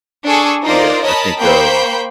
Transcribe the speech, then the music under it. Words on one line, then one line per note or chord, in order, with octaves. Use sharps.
Yeah, I think, um,
D4 G#4 A4 G#5 C#6
D#4 F4 A#4 C5 D5
A#4 C#5 D#5 A5 B5
A#3 C5 G5 B5 C#6 G6